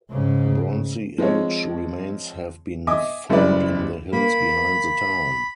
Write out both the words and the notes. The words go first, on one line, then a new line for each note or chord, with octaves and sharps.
Bronze Age remains have been found in the hills behind the town.
G#2 C#3
F3 G#3 C4 C#5
D#5 E5 G#5 D6
F#1 F#2 G3 E4 B4 D5
A#3 B5